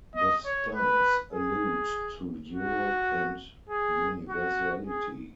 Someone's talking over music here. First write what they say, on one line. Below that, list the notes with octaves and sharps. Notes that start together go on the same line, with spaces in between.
The stars allude to Europe and universality.
D#5
C#5
B4
G#4
F#4
G#4
F#4
G#4